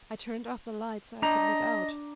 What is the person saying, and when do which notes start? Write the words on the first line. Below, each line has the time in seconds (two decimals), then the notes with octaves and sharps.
I turned off the light so I could look out.
1.22 D4 D#5 A#5